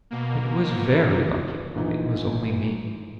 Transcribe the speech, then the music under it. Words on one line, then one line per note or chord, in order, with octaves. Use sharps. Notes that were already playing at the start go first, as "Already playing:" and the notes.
It was very lucky it was only me.'
B2 A#3
A#1 E3 D#4